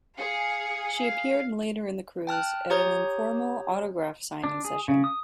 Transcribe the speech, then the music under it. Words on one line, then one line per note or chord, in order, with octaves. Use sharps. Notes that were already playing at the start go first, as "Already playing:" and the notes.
She appeared later in the cruise at an informal autograph-signing session.
G#4 F5 C#7
F5
G5 A5 F6 F#6
G4 C#5 A#5 D#6 G6 G#6
D4
G#4
C#3
D#6